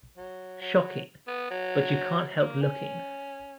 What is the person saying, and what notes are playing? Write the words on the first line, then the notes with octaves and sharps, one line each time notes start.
Shocking, but you can't help looking!
F#3
F#3
B3
F#3
A#3
C#4